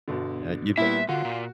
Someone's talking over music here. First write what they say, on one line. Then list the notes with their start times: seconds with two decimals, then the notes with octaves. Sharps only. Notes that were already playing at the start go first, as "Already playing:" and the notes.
Yeah, you
0.08 G1 B2 D3
0.78 A#2 G3 B3 E4 E5
1.09 D3 F4 F#4
1.25 A#2